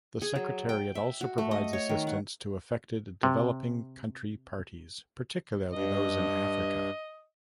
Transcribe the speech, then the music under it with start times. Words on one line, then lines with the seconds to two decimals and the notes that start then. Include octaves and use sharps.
The secretariat also provides assistance to affected developing country Parties, particularly those in Africa.
0.22 G#4
0.35 F#3
0.69 G5
0.95 E5
1.21 F#4
1.38 A3
1.51 D#5
1.73 C#5
1.89 D#3
2.07 F#5
3.23 C3
5.73 G2 D#5